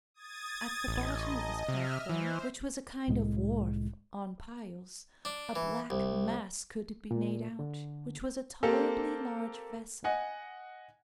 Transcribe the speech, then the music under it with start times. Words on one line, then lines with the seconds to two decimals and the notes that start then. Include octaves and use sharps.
At the bottom of this platform, which was a kind of wharf on piles, a black mass could be made out, which was a tolerably large vessel.
0.14 D#6 G#6 A6
0.88 A1 D#5
1.68 C3 E5 F6
2.09 E3 C5
3.08 C2 A2 G#3
5.25 D4
5.56 E3
5.90 C2
7.11 A#2
7.59 D3
8.63 A#3 C4 G4 A4
10.04 D#5 F#5 G#5